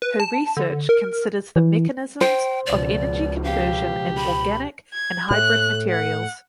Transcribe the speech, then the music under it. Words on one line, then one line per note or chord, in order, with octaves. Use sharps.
Her research considers the mechanisms of energy conversion in organic and hybrid materials.
B4
A5
D3
A#4
E3
C5 G5
C#2 B2 F3 D5
G4 F5
B5
G#6
A2 F#6
F#5